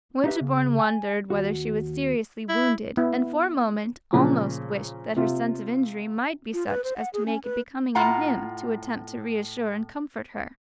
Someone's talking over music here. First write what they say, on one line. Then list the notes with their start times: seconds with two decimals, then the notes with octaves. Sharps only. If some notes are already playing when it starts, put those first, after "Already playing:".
Winterbourne wondered whether she was seriously wounded, and for a moment almost wished that her sense of injury might be such as to make it becoming in him to attempt to reassure and comfort her.
0.24 D#4 E4 G4 A4 B4 E5
0.41 C#3
0.79 G#5
1.30 D#2 F#4
2.49 E4
2.97 B3 E4
4.13 A#2 C#3 F3
5.16 C3 F4
6.53 F4
6.67 B4
6.84 C5
6.96 F#5
7.13 G#4
7.26 C#4
7.44 B4
7.95 A2 F4 F#5 A#5